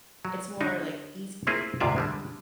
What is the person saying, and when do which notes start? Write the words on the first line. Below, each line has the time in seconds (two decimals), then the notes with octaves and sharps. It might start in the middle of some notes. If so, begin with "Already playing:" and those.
it's more, like, easy
0.25 F#3
0.61 D3 D4 D#4
1.47 A3 A#3 C4 E4 F4 G#4
1.80 D2 G#2 C3 F4 D5 E5
1.96 D3 G3 G#3